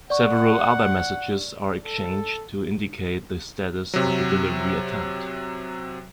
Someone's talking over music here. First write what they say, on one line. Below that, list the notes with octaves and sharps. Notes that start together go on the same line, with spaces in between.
Several other messages are exchanged to indicate the status of the delivery attempt.
D5 F#5 C#6
A4
C3 F#3